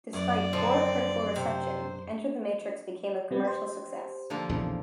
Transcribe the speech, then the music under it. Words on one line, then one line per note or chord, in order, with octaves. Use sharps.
Despite poor critical reception, "Enter the Matrix" became a commercial success.
F#2 D5
D3 F3 C4
C3 C5
C3 G3 B3
G4 C5
D3 F3 A#3
A#1 E2 C#3